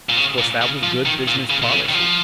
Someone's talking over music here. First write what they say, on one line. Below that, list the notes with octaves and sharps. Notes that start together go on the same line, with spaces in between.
Of course, that was good business policy.
A#2
C#3
A#2
C#3
F3
D#3
A#2
C#3
A#2
C#3
D#3
F3